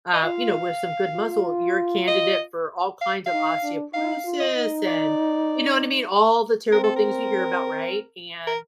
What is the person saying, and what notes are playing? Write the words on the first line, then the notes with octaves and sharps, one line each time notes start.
uh, you know, with some good muscle, you're a candidate for all kinds of osteoporosis. And you know what I mean? All the terrible things you hear about, right? And
D#5
F4 F5
F4
D#5
F5
F5
D#4
D4
D#4 F5
F4
D#5
D#4
D5
C4 A#4
A4
A#4
A#4